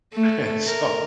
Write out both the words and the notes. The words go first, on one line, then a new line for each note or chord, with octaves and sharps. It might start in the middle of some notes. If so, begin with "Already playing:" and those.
And so,
A3
A#4